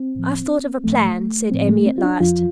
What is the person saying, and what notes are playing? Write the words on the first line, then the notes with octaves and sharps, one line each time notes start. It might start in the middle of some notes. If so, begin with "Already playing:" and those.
"I've thought of a plan," said Emmy at last.
Already playing: C4
A2 F3
A2 F3 A3
A2 F3 C4
A3
C4
F4
D4
F2 F3 F4